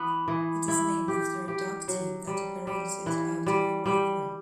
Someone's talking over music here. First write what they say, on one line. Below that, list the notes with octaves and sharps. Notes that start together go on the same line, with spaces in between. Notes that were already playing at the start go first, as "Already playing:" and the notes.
It is named after a dog team that operated out of Rothera.
Already playing: E3 B3
E3
E4
G4
G4
F#3
G3
G3
E3
G3
G3